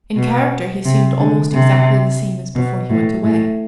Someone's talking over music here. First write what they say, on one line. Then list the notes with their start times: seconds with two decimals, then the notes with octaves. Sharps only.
In character he seemed almost exactly the same as before he went away.
0.16 B2
0.85 C3
1.19 D3
1.53 C3
2.55 B2
2.90 A2
3.24 A2